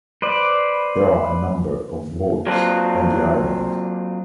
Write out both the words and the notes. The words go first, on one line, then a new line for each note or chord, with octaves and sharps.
There are a number of walks on the island.
B4 C5 D5
F#3 A#3 C4 D4 F4 B4